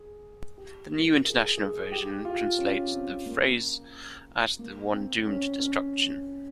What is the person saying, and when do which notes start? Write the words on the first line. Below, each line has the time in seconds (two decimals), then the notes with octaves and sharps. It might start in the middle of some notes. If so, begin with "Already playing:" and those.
The New International Version translates the phrase as the one doomed to destruction.
Already playing: G#4
0.58 G4
0.91 A#4
1.25 G#4
1.58 G#4
1.92 G4
2.25 F4
2.58 C#4
2.92 C4
3.26 A#3
4.59 A#3
4.92 C4
5.27 C#4
5.59 C#4